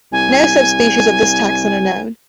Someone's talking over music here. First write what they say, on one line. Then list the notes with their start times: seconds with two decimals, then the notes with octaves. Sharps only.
No subspecies of this taxon are known.
0.12 C2 G#5